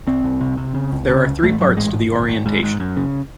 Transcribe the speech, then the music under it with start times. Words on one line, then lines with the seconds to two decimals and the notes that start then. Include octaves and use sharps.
There are three parts to the orientation.
0.07 C2 C4
0.24 C2
0.41 C3
0.57 C3
0.75 C#3
0.92 C#2
1.09 C#3
1.26 C#2
1.43 A1 A3
1.60 G#2 F#3
1.77 A1 G#3
1.94 G#2
2.12 G#1
2.29 G#1
2.46 G#2
2.63 G#2
2.80 F#2
2.97 C#3